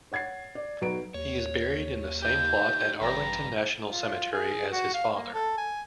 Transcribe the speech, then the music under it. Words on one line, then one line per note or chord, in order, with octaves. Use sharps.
He is buried in the same plot at Arlington National Cemetery as his father.
C#5 F#5 G#6 A6 C7
D5
B1 F#4 B4 A#5 D7
D#2 C#5
D#4 G4 G6
A1 G2 B4 G5 A#5
F4
G#4
F#4
F5
A#3
A4
G#5